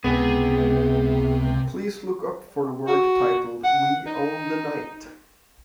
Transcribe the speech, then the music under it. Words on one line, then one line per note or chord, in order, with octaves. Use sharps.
Please look up for the work titled We Own The Night.
C#2 C3 B3 G#4 G#5
F#4
F#5
D#4